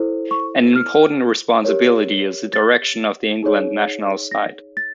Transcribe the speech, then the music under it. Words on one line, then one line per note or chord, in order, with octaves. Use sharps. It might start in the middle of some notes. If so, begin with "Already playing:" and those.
An important responsibility is the direction of the England national side.
Already playing: E4 A4 C5
C#6
F6
G4 A#4 C#5
A6
D#4 G#4 C#5
A#6
A6